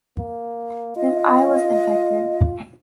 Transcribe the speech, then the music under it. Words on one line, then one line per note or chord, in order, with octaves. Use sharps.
His eye was infected.
A#3
F4 D#5